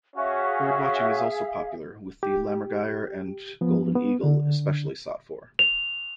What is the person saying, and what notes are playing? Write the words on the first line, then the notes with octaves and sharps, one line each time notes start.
Birdwatching is also popular, with the lammergeier and golden eagle especially sought for.
C#4 F#4 G#4 E5 F5
G4
F3 B3
B3
D3 D4
F7